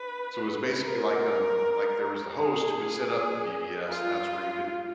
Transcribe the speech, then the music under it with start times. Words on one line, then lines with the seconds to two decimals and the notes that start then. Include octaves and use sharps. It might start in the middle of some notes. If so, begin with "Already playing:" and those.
So, it was basically like, um, like there was the host who would set up the BBS and that's where you could
Already playing: B4
0.83 A#4
2.37 G#4
3.89 F4